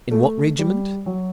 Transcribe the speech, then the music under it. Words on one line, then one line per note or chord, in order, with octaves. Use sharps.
In what regiment?
A3
G3
F#3